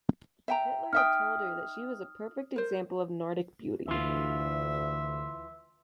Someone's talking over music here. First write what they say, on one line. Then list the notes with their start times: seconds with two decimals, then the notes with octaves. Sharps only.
Hitler had told her that she was a perfect example of Nordic beauty.
0.48 E5 G5 A#5
0.93 D#4 E5 G5 D#6 F6
2.56 A#4 C5
3.88 D2 E3 F4 E5